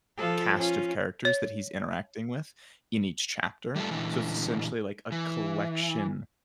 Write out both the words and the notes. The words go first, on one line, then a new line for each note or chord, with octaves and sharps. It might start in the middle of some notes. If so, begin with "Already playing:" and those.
cast of characters that he's interacting with in each chapter, so it's essentially, like, a collection
F3 F4 A4
C#4 F4
C#5
G3 A3 F4 A4
A#2 D3 E3
E3